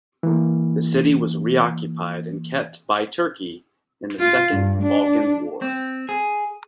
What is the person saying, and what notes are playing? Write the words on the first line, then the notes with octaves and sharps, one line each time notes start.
The city was re-occupied and kept by Turkey in the Second Balkan War.
E3 A#3
F4
G2
D4
C4
G#4